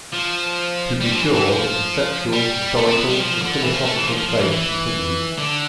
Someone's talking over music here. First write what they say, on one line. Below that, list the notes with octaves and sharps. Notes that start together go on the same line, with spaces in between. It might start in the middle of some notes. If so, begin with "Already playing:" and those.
To be sure, the conceptual, historical, and philosophical debate continues.
F3
G3
F3
E3
E3
F3
G3
A3
C4
B3
G3
F3
D3
E3
F3
A3
E3
F3
F3
F3
E3
E3
D3